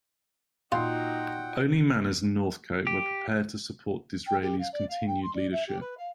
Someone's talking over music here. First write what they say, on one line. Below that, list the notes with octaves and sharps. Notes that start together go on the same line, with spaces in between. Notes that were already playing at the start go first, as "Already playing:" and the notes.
Only Manners and Northcote were prepared to support Disraeli's continued leadership.
A#2 D#4 F4 F#4 F#5 G5 C6
G4
G5
G4
F5
D5
F5
G5
C6
D5
E5
G4
B4
F5